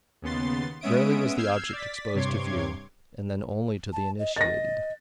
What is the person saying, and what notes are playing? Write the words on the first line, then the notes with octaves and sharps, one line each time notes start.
Rarely was the object exposed to view, and then only to the initiated.
D#2 C#3 B3 C6 A6
G#3 B3 C#4 E5 D#6 D7
E6 F6 G6 G#6 C7
D5 A6 B6
G2 C3 C#5 C6 D6 G#6
A5
D#5
D#5 A6 A#6